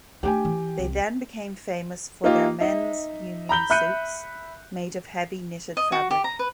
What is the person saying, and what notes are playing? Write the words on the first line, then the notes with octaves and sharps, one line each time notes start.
They then became famous for their men's union suits made of heavy knitted fabric.
A3 D4 G4 G5 G#5
E3
C2
A#3 D#4 F4 G4
D#4 E5
A#5 B5 G6 G7
E5 B5 F#6 G6 C#7 D#7
D#5
F#4
G4
A#5
B4